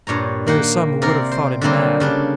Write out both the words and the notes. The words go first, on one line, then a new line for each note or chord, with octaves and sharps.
There are some who would have thought him mad.
G2 A#2 C#5 A#5
D#3 A#3 F#5 G5
C3 C4 A#4 D5 A#5
C5
D3 F#3 G3 A#3 C4
C#3 G3 D4